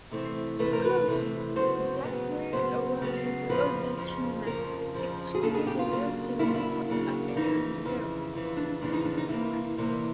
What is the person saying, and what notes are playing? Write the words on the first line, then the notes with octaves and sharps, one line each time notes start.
Currently, the Black Reel Awards is the oldest cinema-exclusive awards ceremony for African-Americans.
C3 E3 A3 C4
C3 E3 A3 C4 B4
A#4
B4
C3 E3 A3 C4
C#3 F#3 B3 C5
C#3 F#3 B3
C#3 F#3 B3 C5
C#3 F#3 B3
F2 C#3 F3 B4
F2 C#3 F3
F2 C#3 F3 A#4
F2 C#3 F3
G#4
C#3 F#3 A#3 D4 A4
G#4
G4
F4
C#3 F#3 A#3 D4
C#3 F#3 A#3 D4 E4
F4
E4
C#3 F#3 A#3 D4
D4
F2 C#3 E3 D#4
F2 C#3 E3
F2 C#3 E3
D4
F2 C#3 E3 D4
D#4
D4
D#4
C3 E3 G3 A#3 E4
C3 E3 G3 A#3